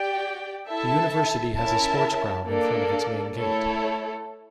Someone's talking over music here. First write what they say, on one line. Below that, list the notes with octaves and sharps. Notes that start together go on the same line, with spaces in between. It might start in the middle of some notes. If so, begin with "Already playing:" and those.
The university has a sports ground in front of its main gate.
Already playing: G4 D5 G5
E4 A4 E5 A5
C#4 E4 A#4 E5 A5
A#3 D4 A4 D5
A3 E4 A4 C#5